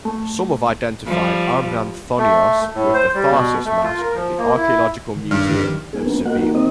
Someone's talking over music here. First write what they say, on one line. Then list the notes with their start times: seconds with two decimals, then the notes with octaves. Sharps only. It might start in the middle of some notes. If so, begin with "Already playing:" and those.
Some have identified Arganthonios with the "Tharsis Mask" at the Archeological Museum of Seville.
0.05 A3
1.06 F3 G3
2.18 A3
2.75 A2
2.94 C5
3.14 G3
3.31 B2
3.65 A3
3.83 F4
3.99 A#4
4.14 F3
4.38 A#3
4.56 E4
5.16 D#3
5.31 G2 F6
5.51 D#3 G4 D5
5.93 D#1 G#4
6.06 A#1 B3
6.25 B2 A#3 F#5
6.39 D#2 F#4
6.55 C4 D#5